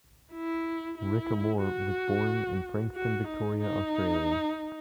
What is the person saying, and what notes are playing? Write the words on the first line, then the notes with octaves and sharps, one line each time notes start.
Rick Amor was born in Frankston, Victoria, Australia.
E4
E4
F#4
F#4
D#4
D#4